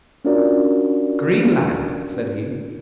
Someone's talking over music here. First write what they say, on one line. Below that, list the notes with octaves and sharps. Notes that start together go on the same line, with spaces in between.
"Greenland!" said he.
C#4 D4 F4 F#4 A#4 D5